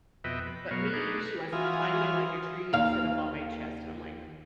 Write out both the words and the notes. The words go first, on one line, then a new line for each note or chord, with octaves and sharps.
but me, she wants to climb me like a tree and sit up on my chest, and I'm like,
F2 B2 B4 D#5 E5 G5
B4
B2 F#3 B3 A#4 F5 C#6
D4 D#4 G#4 B4
E3 F4 F#4 G#5 D#6 F6
D#2 F5